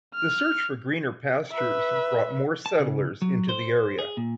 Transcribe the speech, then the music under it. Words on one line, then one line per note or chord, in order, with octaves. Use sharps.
The search for greener pastures brought more settlers into the area.
F6
B4 E5
A5
C#3
F#3
C5
G#4
A#2